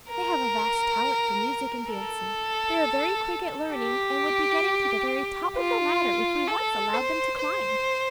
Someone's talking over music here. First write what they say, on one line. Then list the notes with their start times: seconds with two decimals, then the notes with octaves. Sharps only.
They have a vast talent for music and dancing; they are very quick at learning, and would be getting to the very top of the ladder if we once allowed them to climb.
0.10 A#4
1.92 A4
3.75 G4
5.57 F4
6.48 A4
6.93 C5
7.39 C5